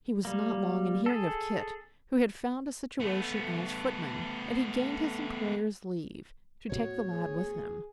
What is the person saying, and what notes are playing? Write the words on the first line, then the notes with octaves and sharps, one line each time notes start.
He was not long in hearing of Kit, who had found a situation as footman, and he gained his employer's leave to take the lad with him.
G3 A#3
G#4 A4
A3 B3
D2 A2 B3 F#4 C#5
G#4